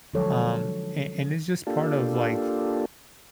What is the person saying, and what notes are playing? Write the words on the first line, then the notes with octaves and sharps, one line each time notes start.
um, a and it's just part of, like,
D3 F3 F#3 G#3 A4 C#5
A#3 D4 F4 G4 A4